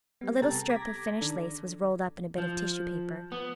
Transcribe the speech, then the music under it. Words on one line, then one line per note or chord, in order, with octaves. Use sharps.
A little strip of finished lace was rolled up in a bit of tissue paper.
G3 B3
C3 G4 A4 G5 A#5 A6
A#5 D6 G#6 A#6 B6
D#3 D4 A4
F3
B3